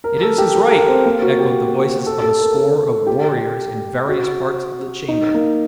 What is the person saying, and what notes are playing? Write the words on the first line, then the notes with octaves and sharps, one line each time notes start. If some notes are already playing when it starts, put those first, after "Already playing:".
"It is his right," echoed the voices of a score of warriors in various parts of the chamber.
A#4
A4
G4
A#4
A#4
C4
A#3
F#4
G4
A4
A4
A#4
A4
G4
F#4
D#4
A#3